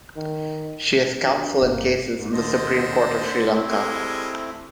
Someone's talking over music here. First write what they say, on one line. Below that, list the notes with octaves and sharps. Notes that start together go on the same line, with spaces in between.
She is counsel in cases in the Supreme Court of Sri Lanka.
D#3
G2 B2
G1 A#3
G#2
D#2 D3 C5 D#5
A3 C4 E4
G3 G#3